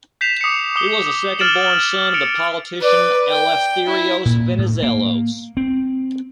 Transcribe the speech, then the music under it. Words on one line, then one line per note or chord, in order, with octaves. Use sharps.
He was the second-born son of the politician Eleftherios Venizelos.
G6 B6 C7 E7 F7
D6 D#6 C7 C#7
D6 D#6 G7
D#6
F6 A6 D7 E7 F#7
C#7 D7 F7
B4 D5
G5
E4
A#2
A2
A#3
C4